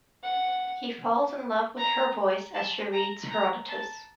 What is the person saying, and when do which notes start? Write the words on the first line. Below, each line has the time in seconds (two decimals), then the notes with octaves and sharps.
He falls in love with her voice as she reads Herodotus.
0.23 F#5
1.77 A#5
2.54 A5
2.92 A#5
3.30 A#5
3.69 A5